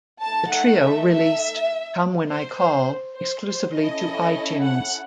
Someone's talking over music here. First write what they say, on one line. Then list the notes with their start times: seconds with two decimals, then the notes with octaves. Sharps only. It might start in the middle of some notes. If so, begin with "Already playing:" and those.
The Trio released "Come When I Call" exclusively to iTunes.
0.24 A3 D#4 A4 A5
0.53 F#5
0.83 E5
1.12 E5
2.29 C5
2.59 C5
3.18 C5
3.46 C5
3.76 C#4 E4 A4 D#5
4.64 F#5